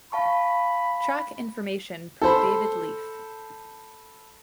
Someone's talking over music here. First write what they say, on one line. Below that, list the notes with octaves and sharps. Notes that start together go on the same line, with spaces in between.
Track information per David Leaf.
F5 A5 B5 C#6
A4 C5 B5